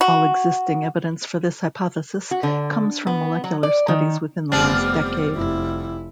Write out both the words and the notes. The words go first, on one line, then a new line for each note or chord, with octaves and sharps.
All existing evidence for this hypothesis comes from molecular studies within the last decade.
F#4
F#4
D3
B3
F#3
D5
D#3
F1 G3 B3 C4 D5
F1 E4